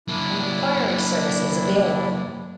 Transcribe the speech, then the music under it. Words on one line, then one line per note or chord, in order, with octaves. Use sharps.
An Enquiry service is available.
F#3 A#3 D4 E4